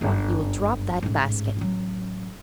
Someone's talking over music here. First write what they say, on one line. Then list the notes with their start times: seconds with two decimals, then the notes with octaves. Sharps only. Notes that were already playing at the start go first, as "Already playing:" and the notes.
'You will drop that basket!
0.01 G1 F#2
1.02 A1 G#2
1.57 A1 F#3